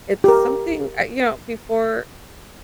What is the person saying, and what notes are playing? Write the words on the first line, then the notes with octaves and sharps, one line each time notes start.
it's something, I you know, before
G4 A#4